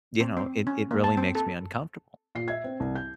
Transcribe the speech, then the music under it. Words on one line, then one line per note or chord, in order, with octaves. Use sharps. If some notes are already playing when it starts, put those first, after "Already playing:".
you know, "it it really makes me uncomfortable."
C4
C4
C#4
A#3
A5
C4
A4
A#2 C7
E5 G#6
C4
C2
G6